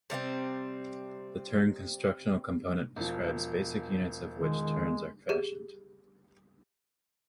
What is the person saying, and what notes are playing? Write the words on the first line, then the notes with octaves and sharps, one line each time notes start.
The turn constructional component describes basic units out of which turns are fashioned.
C3 G3 A#3 C4
E1 F3
D#3 G#3
G4 G#4